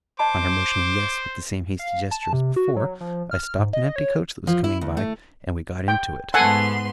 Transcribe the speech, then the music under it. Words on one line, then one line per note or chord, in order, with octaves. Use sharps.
On her motioning Yes, with the same hasty gesture as before, I stopped an empty coach that was coming by, and we got into it.
C5 D#5 A5 B5 D6
F5
A5
C3
F#4
F#3
F3
F6
G#2
D#5
C#5
F3
E4
D2
A3
G5
G#2 F#3 A3 B3 A4 F#5 G#5 C6